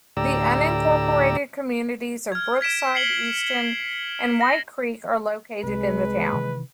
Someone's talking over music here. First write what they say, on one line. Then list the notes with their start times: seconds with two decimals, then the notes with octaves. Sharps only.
The unincorporated communities of Brookside, Easton, and White Creek are located in the town.
0.17 D2 A2 G4 D5 A#5 E6
2.32 F6 G#6
2.61 G#6 B6 D7 E7
2.95 C7 C#7 F#7 G7
4.41 A#6
5.64 C2 C3 G#3 B4
6.33 C3 D#3 E3